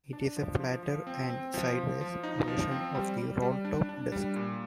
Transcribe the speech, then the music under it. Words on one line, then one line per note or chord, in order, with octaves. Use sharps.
It is a flatter and "sideways" version of the rolltop desk.
D4
F3
F3
F3
C4
C4
F3
F3
F3
D#4
F3
C4
G3
G3
G3
D4
D4
G3
A#2